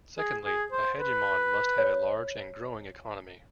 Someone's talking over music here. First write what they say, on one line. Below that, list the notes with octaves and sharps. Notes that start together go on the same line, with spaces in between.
Secondly, a hegemon must have a large and growing economy.
G#4
G#4
C5
B4
C#5